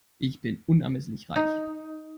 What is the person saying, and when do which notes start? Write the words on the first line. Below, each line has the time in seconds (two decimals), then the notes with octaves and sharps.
Ich bin unermesslich reich.
1.36 D#4